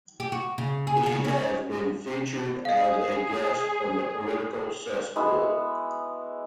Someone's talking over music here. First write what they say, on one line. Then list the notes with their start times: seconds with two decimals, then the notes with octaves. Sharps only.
He has been featured as a guest on "The Political Cesspool".
0.20 G4
0.32 F#4
0.58 C#3
0.87 G#4
1.06 C#3
1.24 C#4
2.65 G#4 D#5 F5
5.16 G#3 B3 E4 F#4